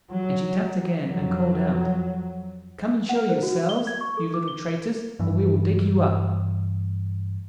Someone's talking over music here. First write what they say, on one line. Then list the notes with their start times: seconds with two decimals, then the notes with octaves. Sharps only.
And she tapped again, and called out, "Come and show yourselves, you little traitors, or we will dig you up!"
0.11 F#3
1.09 F2 F#3
3.09 F#5
3.29 C5
3.43 F#4
3.69 G7
3.87 G#6
4.01 C#6
4.17 A4
4.34 D6
4.48 G7
5.19 G2 E3